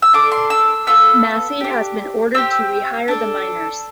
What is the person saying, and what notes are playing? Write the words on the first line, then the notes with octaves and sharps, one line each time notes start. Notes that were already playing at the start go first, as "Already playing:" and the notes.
Massey has been ordered to rehire the miners.
E6
D4 A4 D6
C6
E6
B3 F4 A4 E6
D4 G4
C4 G4 E6
D4 A4